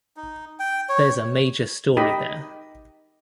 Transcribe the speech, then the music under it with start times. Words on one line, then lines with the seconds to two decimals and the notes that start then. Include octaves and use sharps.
There's a major story there.
0.17 D#4
0.59 G5
0.89 C#5
1.97 D#4 G4 D#5 B5